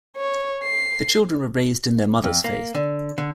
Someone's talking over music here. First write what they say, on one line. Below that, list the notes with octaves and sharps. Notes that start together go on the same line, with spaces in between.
The children were raised in their mother's faith.
C#5
C7
F2
A#3
D3
D3